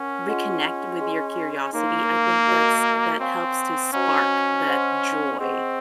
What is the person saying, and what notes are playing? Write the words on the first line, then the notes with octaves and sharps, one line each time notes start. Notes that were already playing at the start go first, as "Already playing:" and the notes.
reconnect with your curiosity, I think that's that helps to spark that joy
Already playing: C#4 A#4 C#5 F#5 C#6
F4 G#4 D#5 F#5 C6
G#4 D#5 G#5 C6
A#3 D#4 A#4 C#5 F5 C6
F#4 A#4 D#5
C4 C#5 F5 G#5 C#6
C#4 F#4 C5 D#5 F#5 A#5
C5 D#5 F#5 C6
C4 G#4 C5 D#5 F#5 C#6